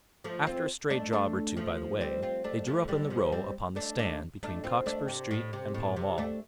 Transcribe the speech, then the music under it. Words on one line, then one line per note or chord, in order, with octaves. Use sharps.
After a stray job or two by the way, they drew up in the row upon the stand between Cockspur Street and Pall Mall.
F3 A3
C4 F4
A3 D4
A3 D4
F3 A3
G3 C4
C4 F4
A3 D4
F3 A3
D3 G3
C3 F3
G3 C4
A3 D4
A3 D4
A3 D4
C4 F4
A3 D4
C3
A2
C3
A2
C3
A3 D4